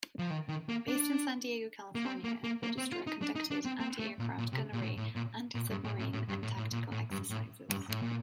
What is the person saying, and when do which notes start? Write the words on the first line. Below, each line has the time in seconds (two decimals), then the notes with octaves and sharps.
Based in San Diego, California the destroyer conducted antiaircraft gunnery, antisubmarine, and tactical exercises.
0.19 F3
0.30 D#3
0.49 D#3
0.69 A#3
0.88 D4
1.95 A#3
2.05 C4
2.24 A#3
2.44 A#3
2.63 A#3
2.78 C4
2.92 F4
3.07 D#4
3.22 D4
3.36 D#4
3.51 D4
3.65 C4
3.80 C4
3.99 A3
4.19 A#2
4.38 A#2
4.53 C3
4.73 A#2
4.82 A2
4.97 A2
5.16 A#2
5.55 A#2
5.70 G2
5.84 A2
5.99 A2
6.13 A2
6.28 G2
6.43 A2
6.57 A2
6.72 A#2
6.92 A2
7.11 G2
7.30 A2
7.70 G2
7.89 A2
8.02 A#2